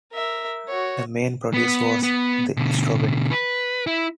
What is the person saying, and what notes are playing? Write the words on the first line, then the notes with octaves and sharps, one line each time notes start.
The main produce was the strawberry.
A#4 E5
F#4 C#5
B3
B3
B2 D3
B4
E4